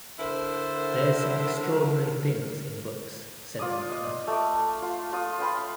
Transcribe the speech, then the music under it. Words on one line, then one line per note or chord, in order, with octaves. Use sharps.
"There's some extraordinary things in books," said the mariner.
D3 E4 A#4 C5
F4 D5 D#6
D#5
A3 D6
F4
F4 D#6
F5 G5 B5 C6